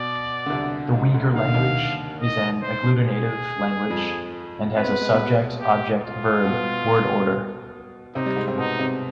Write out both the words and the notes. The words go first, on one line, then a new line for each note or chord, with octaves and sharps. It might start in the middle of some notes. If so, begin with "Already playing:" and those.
The Uyghur language is an agglutinative language and has a subject-object-verb word order.
Already playing: B2 D5
D3
C2 C3
G#2
D2 D3
D#3 F5
D3
D#2 D#3
D#5
C5
G#4
F2 F3
C4 B4
B3
G#3
B2 B3
G4
F4
B2 B3
C3 C4 D#4
G3
G#2 G#3
C4
B2 B3 D#4
C3 C4